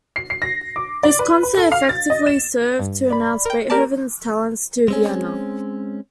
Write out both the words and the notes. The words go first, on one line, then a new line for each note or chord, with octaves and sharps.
This concert effectively served to announce Beethoven's talents to Vienna.
C7
C7
A#6
D6
D5
B4
B4
A4
F5
A6
D#5
E7
G2
D5 B5
A#4 G5
A#3 G4 A#4 D5 A5 A#5
G#3 C4 C#4